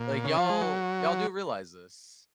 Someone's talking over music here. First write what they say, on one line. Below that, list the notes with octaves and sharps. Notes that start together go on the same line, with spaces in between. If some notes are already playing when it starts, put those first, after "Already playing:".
Like, y'all y'all do realize this."
Already playing: A#2
C#3
F3
G#3
F#3